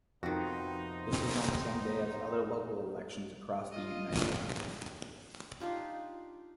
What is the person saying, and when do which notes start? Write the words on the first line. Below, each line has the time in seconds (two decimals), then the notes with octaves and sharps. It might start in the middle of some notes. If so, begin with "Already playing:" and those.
This was on the same day as other local elections across the United Kingdom.
0.23 F2 C3 D#3 B3 D#4 F#4 C5
3.71 F4 D#5
5.60 D4 D#4 F4 G4